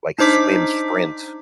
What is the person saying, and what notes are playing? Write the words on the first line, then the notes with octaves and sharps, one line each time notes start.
like swim sprint
D4 D#4 C5 D6 B6